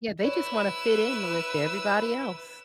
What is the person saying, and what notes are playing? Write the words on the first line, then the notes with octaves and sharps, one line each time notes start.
Yeah, they just want to fit in with everybody else.
E4 B4 C#5 E6